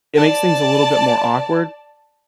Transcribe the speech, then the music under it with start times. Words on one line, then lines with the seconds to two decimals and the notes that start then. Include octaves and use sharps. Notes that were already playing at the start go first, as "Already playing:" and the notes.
it makes things a little bit more awkward,
0.15 D5 A5